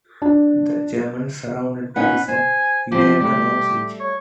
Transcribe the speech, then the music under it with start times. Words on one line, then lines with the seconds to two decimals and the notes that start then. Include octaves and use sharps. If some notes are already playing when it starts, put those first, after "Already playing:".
The Germans surrounded Paris and began a long siege.
0.22 D4
1.96 C#4 D#4 B4 F#5
2.28 C5 G#5
2.92 F3 C4 G4
3.20 G3 A3 G4
4.00 C#5